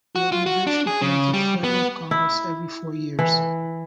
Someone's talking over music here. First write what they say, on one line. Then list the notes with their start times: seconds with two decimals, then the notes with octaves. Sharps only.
The organisation holds a federal congress every four years.
0.15 F#4
0.32 F4
0.46 F#4
0.67 D4
0.87 G#4
1.02 C#3
1.33 G3
1.64 B3
2.11 E4
3.19 E3